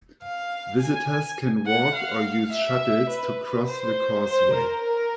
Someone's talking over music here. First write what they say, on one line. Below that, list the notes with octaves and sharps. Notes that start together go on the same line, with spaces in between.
Visitors can walk or use shuttles to cross the causeway.
F5
G#5
F#5
F5
E5
B4
C5
C5
A#4
A#4